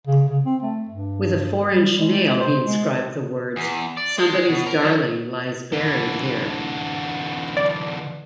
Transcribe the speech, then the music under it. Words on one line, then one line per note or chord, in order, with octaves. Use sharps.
With a four-inch nail he inscribed the words Somebody's Darling lies buried here.
C#3
C#3
C4
A3
G2
G3
G#3
C5
G#3
E2
D5
G#3
B2
A#4
F#3
D3 E3
D5